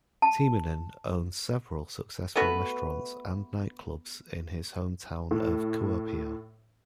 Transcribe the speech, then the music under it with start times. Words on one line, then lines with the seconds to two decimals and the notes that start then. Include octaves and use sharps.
Timonen owns several successful restaurants and nightclubs in his hometown of Kuopio.
0.22 A5
2.36 A3 B3 F#4 B4
5.31 A2